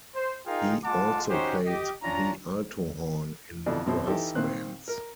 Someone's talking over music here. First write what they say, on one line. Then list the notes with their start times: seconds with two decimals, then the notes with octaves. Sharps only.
He also played the alto horn in brass bands.
0.15 C5
0.46 D#4 F4 G#4 A#4 F5 G5
0.84 G#3 F4 F#5 A5 D6
1.29 C#4 D#4 F#4 G4 C5
1.66 G4 D#5
2.02 C#4 D4 F4 A#5
3.66 F2 B2 D3 E3 D4
3.86 F#2 B2 C4
4.06 E3 D#4 G4 A4
4.35 A#2 D#3 C4 F#6
4.88 A#4